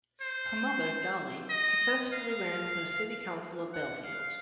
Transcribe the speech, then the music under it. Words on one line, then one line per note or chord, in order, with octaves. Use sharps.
Her mother Dolly successfully ran for city council of Bellefield.
C5
D#5
F5
F#5
F5